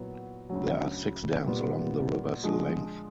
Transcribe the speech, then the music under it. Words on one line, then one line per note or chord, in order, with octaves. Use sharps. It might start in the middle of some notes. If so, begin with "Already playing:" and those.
There are six dams along the river's length.
Already playing: A#2 F#3 B3 E4
D2 C#3 F#3
A#2 G3 B3
D3 F3 G#3